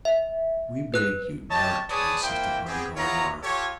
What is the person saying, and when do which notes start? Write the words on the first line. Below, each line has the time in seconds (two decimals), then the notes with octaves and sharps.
We beg you not to insist upon going on.
0.05 E5
0.94 B4 F#6
1.50 G4 C#5 D#5 A5
1.89 G#4 B4 C#5 D5 A5 D#6
2.23 A#3 E4 C5 G5
2.66 B3 C4 G4 G#4
2.96 B3 F4 C#5 E5 A#5
3.43 F4 G4 A4 C#5